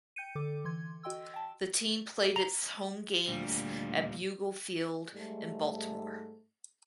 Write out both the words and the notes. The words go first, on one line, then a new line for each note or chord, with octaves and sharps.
The team played its home games at Bugle Field in Baltimore.
G5 G6 C#7 D#7
D3 A4 D6
E3 C6 G#6
F#4 D#5 G5 C6 E6
G5 A5
A#5
D2 A#2 G3
G#2 G3 A3